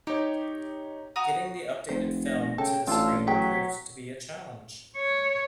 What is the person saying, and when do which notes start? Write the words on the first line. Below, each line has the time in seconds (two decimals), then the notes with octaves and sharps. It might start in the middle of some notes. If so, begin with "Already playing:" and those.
Getting the updated film to the screen proved to be a challenge.
0.07 D#4 G4 C#5
1.16 F#4 A#5 D#6
1.89 F1 C5
2.26 A#6
2.58 C#3 A4 G5
2.87 A1 D4 F4 A5 E6
3.27 F#3 G#4 G5 B6
4.96 C#5